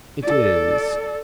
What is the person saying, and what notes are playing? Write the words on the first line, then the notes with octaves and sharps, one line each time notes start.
It is.
A4 D5